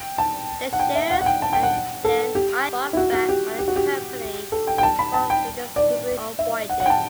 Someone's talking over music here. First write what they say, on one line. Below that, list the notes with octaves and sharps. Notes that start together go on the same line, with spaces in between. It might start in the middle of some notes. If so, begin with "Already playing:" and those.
The shares are then either bought back by the company for redistribution or voided.
Already playing: G5
A5
F#5
G5
E5
F#5
F#5
G5
A5
G5
F#5
A4
G4
E4
F#4
F#4
G4
G4
F#4
G4
A4
G5
G5
A5
B5
A5
G5
D5
E5
F#5
F#5
G5
A5